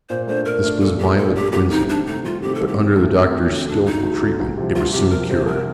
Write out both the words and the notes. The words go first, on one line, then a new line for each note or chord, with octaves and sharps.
This was violent quinsy, but, under the Doctor's skilful treatment, it was soon cured.
A#2 C5
A3 D4 C5
A#2 A#4
A3 D4
A#2 A4
A3 D4 G4
A#2 A4
A3 D4 G4
C2 G4
C3 D#3 A3 C4 D#4
C2 D4
C3 D#3 A3 C4 D#4
C2 F4
C3 D#3 A3 C4 G4
A4
C2
G4
C3 D#3 A3 C4
D2 A4
D3 A3 C4
D2
D3 A3
C4
D2 D4
D3 A3 D#4
D2
D3 A3
C2
C3 F3
C2 F4
C3 F3 G4
C2 A#4
C3 F3 C5
C2 A#4